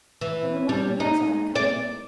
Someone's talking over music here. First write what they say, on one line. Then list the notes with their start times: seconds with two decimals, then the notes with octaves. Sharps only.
But my mother knows I am coming?'
0.21 E3
0.69 G3
1.00 D#4
1.55 D5